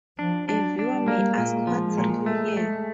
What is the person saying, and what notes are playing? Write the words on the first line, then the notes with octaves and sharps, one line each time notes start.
A viewer may ask what's real here?
F3 D4
F#3 D4
D4
G3
A#3
A#2 G#3
F3
A#2
A3
A3